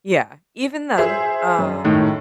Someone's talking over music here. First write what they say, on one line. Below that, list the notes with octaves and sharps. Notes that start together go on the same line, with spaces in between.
yeah, even then, um
G#4 C5 E5
F#2
A2 D#3